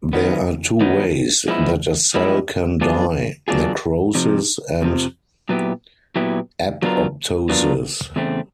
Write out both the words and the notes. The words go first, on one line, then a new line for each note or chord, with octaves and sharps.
There are two ways that a cell can die: necrosis and apoptosis.
D#3 F#3 B3
D#3 F#3 B3
F3 G#3 B3 E4
F3 G#3 B3 E4
F#3 B3 D4 F4 G#4
F#3 B3 D4 F4 G#4
F2 C3 F3
F2 C3 F3
A#2 F#3 B3 E4 G4
A#2 F#3 B3 E4 G4
F#3 B3 D4 F4 A#4
F#3 B3 D4 F4 A#4
E2 C#3 A3 C4